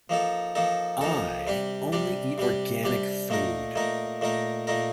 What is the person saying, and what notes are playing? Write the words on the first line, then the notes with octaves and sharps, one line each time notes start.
I only eat organic food.
F3 A#3 D#4 A4
F3 A#3 D#4 A4
F3 A#3 D#4 A4
C3 G3 D4 G4
C3 G3 D4 G4
C3 G3 D4 G4
C3 G3 D4 G4
A#2 A3 D#4 A#4
A#2 A3 D#4 A#4
A#2 A3 D#4 A#4
A#2 A3 D#4 A#4